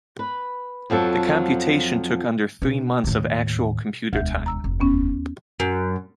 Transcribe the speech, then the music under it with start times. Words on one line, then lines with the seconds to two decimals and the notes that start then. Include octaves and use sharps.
The computation took under three months of actual computer time.
0.19 B4
0.90 F2 F3 F#3 A4
2.62 B2 D4
3.04 D#2 A2
4.13 E1 D2 E5 G6
4.46 A#5 E6
4.64 F1
4.80 D#2 B3 C#4
5.60 F#2